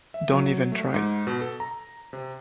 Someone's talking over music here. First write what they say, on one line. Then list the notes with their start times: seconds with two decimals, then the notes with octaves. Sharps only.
Don’t even try.
0.14 E5
0.32 F#3
0.72 A3
0.94 G#2
1.27 B2
1.41 A4
1.60 A#5
2.13 C3